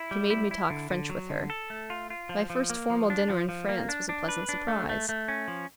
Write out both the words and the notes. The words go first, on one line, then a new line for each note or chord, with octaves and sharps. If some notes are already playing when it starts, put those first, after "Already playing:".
She made me talk French with her. My first formal dinner in France was a pleasant surprise.
Already playing: E4
G3
E4
E4
D3
D3
F#3
D3
A4
A3
F4
F4
F3
F3
A#3
F3
D4
F3
F3
A#3
D4
D4
B4
D4
A3
A3
A3
C#4
F3